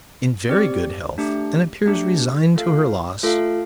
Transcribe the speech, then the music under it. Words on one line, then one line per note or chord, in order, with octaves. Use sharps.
"In very good health, and appears resigned to her loss."
C4 G4 D5
A3 D4 G4
A3 D4 G4
A3 F4 A4 F5
A3 F4 A4 F5